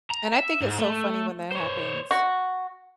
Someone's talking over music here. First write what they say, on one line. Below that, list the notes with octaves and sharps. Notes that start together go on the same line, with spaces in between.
And I think it's so funny when that happens.
A#5
E5
G#2
A3
C5 C#5
F#4